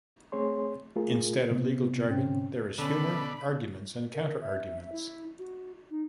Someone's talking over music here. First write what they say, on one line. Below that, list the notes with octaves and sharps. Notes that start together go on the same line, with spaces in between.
Instead of legal jargon, there is humour, arguments and counter arguments.
A3 C4 G#4 C#5 C6
A3 F4 G#4 A#4
C3 B3 C4
G#2 C3 C4 C#4 G5
B2 D3 C#4 D4 A4 B5
A#4
E5
E4
F#4
D#4